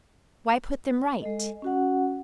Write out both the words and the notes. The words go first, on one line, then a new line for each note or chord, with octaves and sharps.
Why put them right?
G#3 A4 D#5
C#4 F#4 F#5